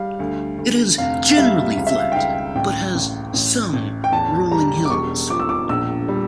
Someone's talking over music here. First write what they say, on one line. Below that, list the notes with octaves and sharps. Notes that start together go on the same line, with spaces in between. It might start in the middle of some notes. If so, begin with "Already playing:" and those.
It is generally flat, but has some rolling hills.
Already playing: G3 F5
D2
D2
F1 F5
F5
G3 E5
C#2 F5
E5
F5
G5
C#2 F5
A1 G5
A1
A1
A1
G5
E2 A5
G3 A#5
D6
E1 C#6
F3 D6
E6
D6
A#1 E6
G3